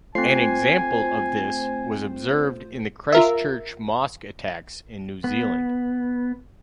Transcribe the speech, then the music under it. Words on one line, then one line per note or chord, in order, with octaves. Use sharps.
An example of this was observed in the Christchurch mosque attacks in New Zealand.
A3 C4 F4 C5 G#5 C7
F4 A#4 E5
B3